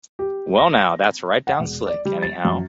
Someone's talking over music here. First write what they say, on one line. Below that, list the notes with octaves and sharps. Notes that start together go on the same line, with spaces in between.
Well, now, that's right down slick, anyhow.
G4
A#6
A#6
F#5
E1
D5
G3
A6
F#2